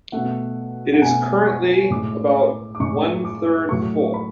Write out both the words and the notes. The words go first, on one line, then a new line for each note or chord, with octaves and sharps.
It is currently about one third full.
B2 A3 F#5
F#5
B2 A3 G#5
C#6
A2 G#3 D6
D6
A2 G#3 C#6
D6
A2 F#3 A3 C#6
B5